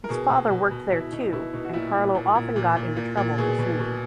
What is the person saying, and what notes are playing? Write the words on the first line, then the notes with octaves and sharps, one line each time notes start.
His father worked there too, and Carlo often got into trouble for singing.
A#4
B2 G#4
B2
B2
B2
B2 E4
B2 D#4
B2 E4
B2 D#4
F#4
A#2 E4
A#2
A#2
A#2
A#2
A#2
A#2
A#2
B2 G#4
B2
B2